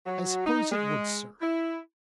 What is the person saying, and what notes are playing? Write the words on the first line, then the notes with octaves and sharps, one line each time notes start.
'I suppose it would, sir.
F#3
D#4
G#3
E4